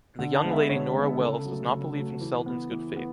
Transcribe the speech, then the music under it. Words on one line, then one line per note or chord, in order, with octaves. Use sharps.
The young lady Nora Wells does not believe in Seldon's good faith.
D3
A5
G#3 B3
E5
D3 C#5
G#3 B3
C#3 A4
F#3 A3
C#3
F#3 A3
E3
B3
E3
B3